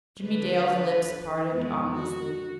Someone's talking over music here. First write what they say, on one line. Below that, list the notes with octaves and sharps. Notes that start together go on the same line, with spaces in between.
Jimmie Dale's lips parted ominously.
D3 B4
F2 G#3 B3
F#4